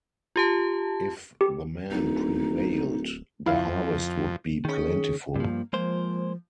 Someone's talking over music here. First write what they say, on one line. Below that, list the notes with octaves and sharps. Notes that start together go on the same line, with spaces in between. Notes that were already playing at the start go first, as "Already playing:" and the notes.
If the men prevailed, the harvest would be plentiful.
F4 G4 A5
G4
D1 D#4
F2 E4 F5
D#3 C#4 G#4
G2 F3 A#3
F3 G#3 A#3 C5